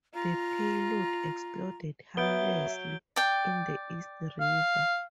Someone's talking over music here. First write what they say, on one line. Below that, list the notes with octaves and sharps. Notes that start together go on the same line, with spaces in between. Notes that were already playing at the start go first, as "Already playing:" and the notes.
The payload exploded harmlessly in the East River.
F4 A#5
F#3 B3 E5 G6 D7 G7
D5 G5
F5